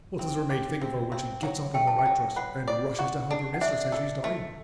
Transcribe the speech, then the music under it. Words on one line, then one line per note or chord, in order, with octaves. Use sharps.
What does her maid think of her when she gets up in her nightdress and rushes to help her mistress as she's dying?
C4
G4
C4
C4
F#3
A3 G5
A5
G5
F#3
B4 F#5
D5
F#4
D4
F#5
D4 E5
A4
A3